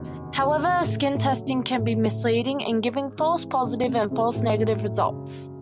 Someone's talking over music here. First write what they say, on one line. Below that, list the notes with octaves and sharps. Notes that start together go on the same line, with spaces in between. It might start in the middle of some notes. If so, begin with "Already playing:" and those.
However, skin testing can be misleading in giving false positive and false negative results.
Already playing: F#1 E2 C3 D#3 F#3
E2 C3 D#3 F#3
A2 C#3
A2
F#3 A3
C3
A2 C#3
F#3 A3
G#2
E3 G#3 C4
G#2 C#3
C3
C3 E3 G#3 C4
A2
F#2
C#3 G#3